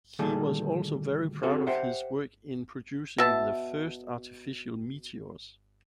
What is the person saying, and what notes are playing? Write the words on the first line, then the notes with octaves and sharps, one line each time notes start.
He was also very proud of his work in producing the first artificial meteors.
D2 A#2 D#3 G3 G#4 A4
C4 F4 F#4 G#4 A4 C#5
G4 C5 E5 F#5
B2 E5 A5